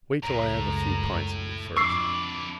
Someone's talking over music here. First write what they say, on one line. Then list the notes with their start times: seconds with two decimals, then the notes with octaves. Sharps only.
Wait till I have a few pints in me first.
0.23 C#2 F#2 A2 A#5
1.77 F2 D4 E4 C#6 D6 E6 C7